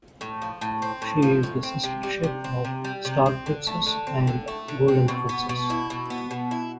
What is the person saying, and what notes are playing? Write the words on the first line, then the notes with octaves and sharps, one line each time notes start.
She is the sister ship of "Star Princess" and "Golden Princess".
A2
F3
A2
C4
A2
F3
A2
C4
C3
G3
C3
C4
C3
G3
C3
C4
D3
A3
D3
C4
D3
A3
D3
C4
B2
B3
B2
E4
B2
B3
B2
E4